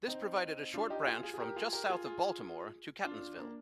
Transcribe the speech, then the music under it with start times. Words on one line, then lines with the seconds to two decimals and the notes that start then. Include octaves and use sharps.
This provided a short branch from just south of Baltimore to Catonsville.
0.08 C4 D#4
0.74 D4 F4
0.90 D#4 G4
1.07 F4 G#4
1.23 F4 G#4
1.34 G#4
1.40 G4 A#4
1.56 F4 G#4
1.73 G4 A#4
1.89 F4 G#4
2.06 F4 G#4
3.04 D4 F4
3.38 A#3 D4